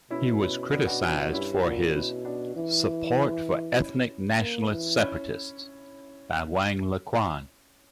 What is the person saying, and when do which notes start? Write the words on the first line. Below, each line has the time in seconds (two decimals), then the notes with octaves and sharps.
He was criticized for his "support for ethnic nationalist separatists" by Wang Lequan.
0.11 B2 C#4 E4
0.41 C#4 E4
0.72 B3 D4
0.87 D4 F#4
1.02 C#4 E4
1.17 D4 F#4
1.33 G2 C#4 E4
1.63 A#2 D4 F#4
1.94 B2 C#4 E4
2.25 B3 D4
2.56 E3
3.78 C#4 E4
4.39 A#3
4.70 E3
5.00 C#4 E4